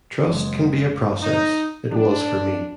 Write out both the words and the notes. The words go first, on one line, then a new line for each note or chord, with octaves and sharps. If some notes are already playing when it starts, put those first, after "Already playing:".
Trust can be a process. It was for me.
F#1 G#3
D#4
D4